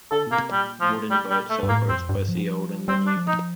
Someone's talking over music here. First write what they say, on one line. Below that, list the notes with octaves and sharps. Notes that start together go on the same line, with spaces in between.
"WoodenBoat" celebrates both the old and the new.
D3 A4
A#2
C3 A#3
A#2 G3
A2 F3
A#2 G3
G3
A3
G2
A2 A#3
F2 C4
G2
F3
G3 C4
D4
F3
D#4